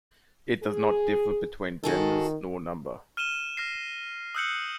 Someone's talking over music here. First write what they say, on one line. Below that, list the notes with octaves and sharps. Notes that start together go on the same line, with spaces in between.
It does not differ between genders nor number.
G#4
D#3 F#4 G#4 A4
F6 D#7 E7 G7
F6 A#6 C7
D#6 E6 F#6 G6 C#7 F#7